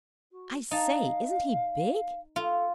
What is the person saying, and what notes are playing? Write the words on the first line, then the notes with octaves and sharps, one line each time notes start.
"I say, isn't he big!"
F#4
D#4 F5 A5
F4 A4